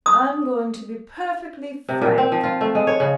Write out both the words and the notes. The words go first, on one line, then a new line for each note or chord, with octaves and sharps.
'I'm going to be perfectly frank.
D#6
C3
A#2
C4
F3
F4
A3
G#3
C#5
C#3